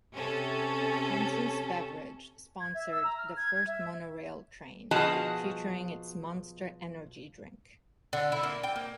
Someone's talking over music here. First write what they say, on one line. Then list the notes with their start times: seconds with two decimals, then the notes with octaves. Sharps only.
Hansens Beverage sponsored the first monorail train, featuring its Monster Energy drink.
0.15 C3 C#4 A4
2.60 G#6
2.74 E5
2.92 E6
3.04 A#5
3.18 F6
3.36 G#6
3.54 G#6
3.67 E5
4.91 B2 F3 F#4 G#4 D#5 A5
8.13 D3
8.32 E4
8.43 A#3
8.63 G5
8.76 A#3